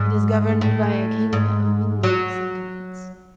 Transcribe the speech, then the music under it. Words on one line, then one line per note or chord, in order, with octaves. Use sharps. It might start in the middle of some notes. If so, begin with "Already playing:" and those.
It is governed by a king of mingled sentiments.
Already playing: G#2
A2
G#2
F#3